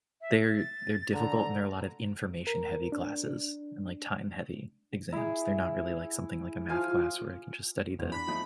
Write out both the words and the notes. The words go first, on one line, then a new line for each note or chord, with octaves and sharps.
they're they're difficult, and there are a lot of information-heavy classes and, like, time-heavy exams, they're not really like something, like a math class where I can just study the
E5
A6
D3 A#5
A#4
D4
E4 G#4
F3 F4 F5 G#5
E2
D4 B5
F2 A3 D#4